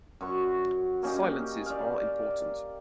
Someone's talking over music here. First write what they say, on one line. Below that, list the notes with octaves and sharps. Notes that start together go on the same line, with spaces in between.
Silences are important.
F#2 F#4 C#6
A#3 C#4 D#4 G4
D5 F5